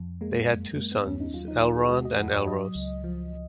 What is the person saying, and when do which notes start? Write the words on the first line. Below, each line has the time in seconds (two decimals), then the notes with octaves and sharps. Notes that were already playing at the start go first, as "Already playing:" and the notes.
They had two sons, Elrond and Elros.
Already playing: F2
0.21 G#3 A#3
0.49 F#2
0.77 G#3 A#3
0.92 B3
1.05 D#2 C#4
1.20 D#4
1.34 F#3 F4
1.48 D#4
1.62 D#2 F4
1.76 G#4
1.91 G#3 F#4
2.05 D#5
2.19 F2 F#5
2.33 C#5
2.47 F#3 D#5
2.75 C#2
3.04 F3